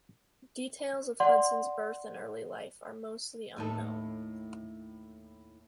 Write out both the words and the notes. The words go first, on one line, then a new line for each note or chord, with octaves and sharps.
Details of Hudson's birth and early life are mostly unknown.
D5 F#5 C6
D#2 A2 A4